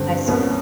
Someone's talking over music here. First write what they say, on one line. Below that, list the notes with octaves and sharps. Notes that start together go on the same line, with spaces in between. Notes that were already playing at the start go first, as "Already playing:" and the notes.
I see.
Already playing: G2 D3 C4
C2 A#2 B3 C#4